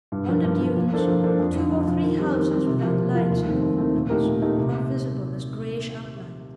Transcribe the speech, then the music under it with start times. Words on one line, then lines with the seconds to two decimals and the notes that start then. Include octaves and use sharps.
On the dunes two or three houses without lights in the windows are visible as greyish outlines.
0.12 G2
0.29 F3 A#3
0.44 G2
0.61 F3 A#3
0.77 F3
0.92 A#3 D4 A4 C5
1.08 F3
1.24 A#3 D4 A4 C5
1.39 F2
1.56 D3 F3
1.71 F2
1.87 D3 F3
2.04 D#3
2.19 G3 C4
2.35 D#3
2.52 G3 C4
2.67 C3
2.83 F3 A#3 F4
2.99 C3
3.15 F3 A#3 F4
3.30 D#2
3.47 D#3 A3 C4
3.62 D#2
3.78 D#3 A3 C4
3.94 A#2
4.10 A3 D#4 G4 A#4
4.25 A#2
4.42 A3 D#4 G4 A#4
4.57 C3